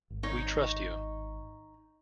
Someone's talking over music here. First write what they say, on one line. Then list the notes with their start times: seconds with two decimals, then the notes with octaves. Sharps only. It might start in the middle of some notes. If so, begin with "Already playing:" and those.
We trust you.
0.10 G#1
0.23 D#4 C#5